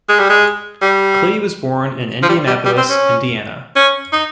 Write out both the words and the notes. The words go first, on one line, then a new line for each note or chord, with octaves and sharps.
Klee was born in Indianapolis, Indiana.
G#3
G3
G#3
G3
F3
G3
G3
G3
C4
C#4
C#4
D#4